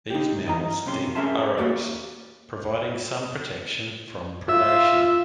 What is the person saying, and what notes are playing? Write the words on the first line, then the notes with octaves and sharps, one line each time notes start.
These mammals dig burrows, providing some protection from predation.
D#4 G4
E3 D#5 A#5
B1 C3 C#4 C6
C#4 G#4 A#4 E5 A5 C6
G3 A#3 F#4 A4 D5
F4 E5